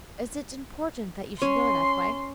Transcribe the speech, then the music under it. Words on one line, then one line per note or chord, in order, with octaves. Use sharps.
"Is it important that you should go that way?"
C#4 C6